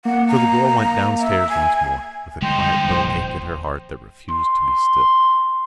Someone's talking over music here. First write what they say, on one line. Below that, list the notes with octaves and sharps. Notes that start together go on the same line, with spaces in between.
So the girl went downstairs once more, with a quiet little ache at her heart that refused to be still.
A#3 F#5
A#5
E5
G#5
D3 F3 G3 G#3 D#4 G5 C6
F1 A#1 A#2 C5
C6